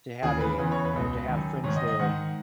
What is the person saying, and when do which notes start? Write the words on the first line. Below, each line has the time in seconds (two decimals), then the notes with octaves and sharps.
to have a know, to friends there.
0.22 D#2 C#3 E3 G#4
0.40 B4
0.58 E2 C#3 E3 B4
0.72 C#5
0.85 B4
0.93 C#2 B2
1.28 F#2 D#3
1.64 G#2 D#3 C#5
1.76 D#5
1.87 D#5
1.99 G#2 D#3 F#5